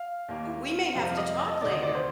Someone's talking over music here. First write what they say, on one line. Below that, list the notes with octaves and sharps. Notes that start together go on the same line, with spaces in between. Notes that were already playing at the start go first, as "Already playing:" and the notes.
Ooh, we may have to talk later.
Already playing: F5
D#2 D#3 A#3
F2 C3 G3 C4 F5
F5
D#5
D#5
D2 C3 D#3 D5
D#5
D5
C5